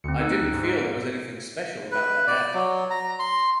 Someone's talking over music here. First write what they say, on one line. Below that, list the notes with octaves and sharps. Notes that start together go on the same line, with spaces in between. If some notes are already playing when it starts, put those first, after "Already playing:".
I didn't feel there was anything special about that ad.
D2 C4 C#7
D#4 E6 F#6
G#2
B4
D5
F#3
A#5
C6